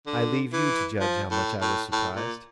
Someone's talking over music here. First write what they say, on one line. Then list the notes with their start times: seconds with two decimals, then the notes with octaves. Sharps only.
I leave you to judge how much I was surprised.
0.06 D3
0.53 E3
1.00 F3
1.31 A2
1.61 A2
1.92 A2
2.16 A#2